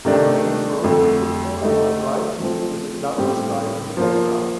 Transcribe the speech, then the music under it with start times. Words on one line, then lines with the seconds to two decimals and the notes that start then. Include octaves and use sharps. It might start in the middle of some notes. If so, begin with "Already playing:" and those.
A man throws a football on a dry field with a cloudy sky in the background.
0.05 C3 D#3 A3 D4
0.83 F2 D3 A3
1.62 D3 A3 D#4 G4
2.40 F3 A3 C4
3.18 A2 G3 C4 G4
3.97 F3 A#3 F4 C5